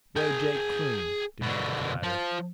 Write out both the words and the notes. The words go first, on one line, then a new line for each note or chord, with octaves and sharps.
"Where Jake Kloon?" demanded the latter.
G#4 G5
B2 D3
F3